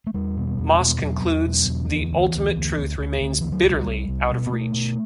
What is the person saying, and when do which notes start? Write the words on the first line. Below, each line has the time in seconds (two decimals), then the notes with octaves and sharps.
Moss concludes, the ultimate truth remains bitterly out of reach.
0.07 A3
0.14 E2 G3
0.37 B2
0.59 E2
0.80 B2
1.02 E2 F#3
1.24 E2
1.46 B2
1.68 E2
1.85 F#3
1.89 D2 E3
2.12 D2
2.34 D2
2.56 D2
2.78 D2
2.99 D2
3.21 D2
3.41 D2 E3
3.52 F#3
3.65 C2 G3
3.86 C2
4.08 C2
4.30 B2
4.47 B3
4.52 B2 A3
4.74 B2